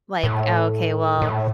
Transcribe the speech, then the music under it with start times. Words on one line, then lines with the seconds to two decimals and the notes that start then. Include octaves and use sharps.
like, oh, okay, well,
0.24 A2
1.22 A2